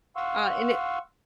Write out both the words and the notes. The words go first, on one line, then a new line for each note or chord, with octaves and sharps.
Uh, and it
F5 F#5 C6 C#6 E6